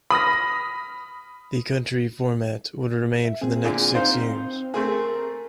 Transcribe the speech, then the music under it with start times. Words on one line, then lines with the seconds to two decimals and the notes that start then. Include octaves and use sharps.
The country format would remain for the next six years.
0.10 B5 D#6 F6 A#6
3.25 E5
3.41 C4 G#4
3.64 A#2 D3 G#4
3.95 D#4 C5 F5
4.74 A3 C4 G#4 A#4